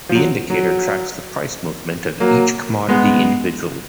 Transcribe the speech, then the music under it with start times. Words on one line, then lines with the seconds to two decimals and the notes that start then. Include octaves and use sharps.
The indicator tracks the price movement of each commodity individually.
0.09 F3
0.15 F#3
0.50 F#3
2.20 F#3 A#3
2.89 G#3 B3